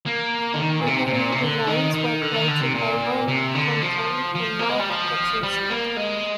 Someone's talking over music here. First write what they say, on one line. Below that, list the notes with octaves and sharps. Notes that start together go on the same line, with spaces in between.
The early designs were created by Ron Thornton and Mark Kotchinski.
A#3
D3
D#3
A#2
C3
C3
A#2
C3
D3
D#3
D#3
D3
D#3
D3
C3
A#2
C3
D3
F3
F3
A#3
G#3
G3
F3
G3
A#3
G#3